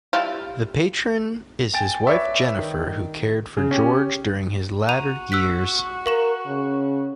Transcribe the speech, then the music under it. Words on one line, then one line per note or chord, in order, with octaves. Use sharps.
The Patron is his wife Jennifer, who cared for George during his latter years.
G3 E4 F4
G5 G#5 A6 D7
B4 C#5 D5 E5
D#3
C#3
C#4 G4
F#4 A#5 D#7 F7
E6 F#6 B6
A#4 F5 C#6 E7
C#3